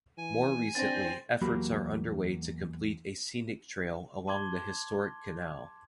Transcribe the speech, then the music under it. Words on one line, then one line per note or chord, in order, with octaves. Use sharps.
More recently, efforts are underway to complete a scenic trail along the historic canal.
E3 G#5
C4 D4 A6 A#6
E2 F#3 A#3 F#4 G4 B5
A5 C6 D6 G#6 G7